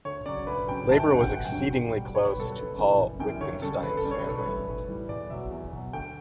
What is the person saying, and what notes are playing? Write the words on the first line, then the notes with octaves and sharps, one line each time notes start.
Labor was exceedingly close to Paul Wittgenstein's family.
D2 C#5
C#3 F#3 D5
D2 B4
C#3 F#3 G5
G1 A5
G5
G2 D3 F#3 F#5
G5
G1 F#5
G5
G2 D3 F#3
B1 G5
B2 G3
B1 C#5
B4
B2 G3 A4
B4
F#1
F#2 E3 G3
F#1
F#2 E3 G3 G5
D2 C#5
C#3 G3 A4
D2 B4
A4
C#3 G3
C#5
B4
B1 A4
B4
A2 E3 G3
B1
A2 E3 G3
E2 D5
B2 F#3 E5
E2
B2 F#3
D2 G5